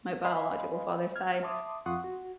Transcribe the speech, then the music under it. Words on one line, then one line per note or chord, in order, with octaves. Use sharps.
my biological father's side.
D#5 F5 G#5 B5 C6
F6 G#6
E5 A5 C6 D6 D#6
F2 F4 F#5 C6 C#6 D#6
F#4